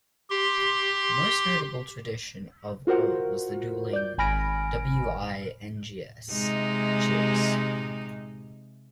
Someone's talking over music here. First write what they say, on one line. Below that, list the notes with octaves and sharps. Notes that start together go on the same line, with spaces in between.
The most notable tradition of all was the dueling "W-I-N-G-S" cheers.
G4 C6
F4 F#4 A#4 C5 F#5
D5 G6
G#1 G#5 B5 F6 A#6 D7
C3 G#3 D#4